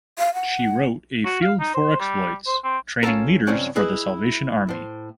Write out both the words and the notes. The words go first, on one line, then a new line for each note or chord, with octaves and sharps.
She wrote "A Field For Exploits: Training Leaders For The Salvation Army".
F5
F#5
F#4
F5
D#4
C5
G3
C5
C4
C#4 F4 F#4 A4 A#4
C#2 G2 F3 C4 C#4
E4 G#4 B4 D#5
A2 C5